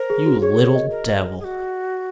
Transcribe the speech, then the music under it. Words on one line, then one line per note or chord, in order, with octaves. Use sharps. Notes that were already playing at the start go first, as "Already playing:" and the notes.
"You little devil!"
Already playing: A#4 C5
G#4
F#4
G#4 C#5
A#4
D#5
A#4
G#4
F#4